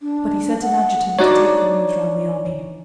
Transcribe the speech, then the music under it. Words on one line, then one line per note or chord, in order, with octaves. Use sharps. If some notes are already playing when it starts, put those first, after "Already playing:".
But he sent an adjutant to take the news round the army.
D4
F#5
D4 D#4 F#4 C#5 D5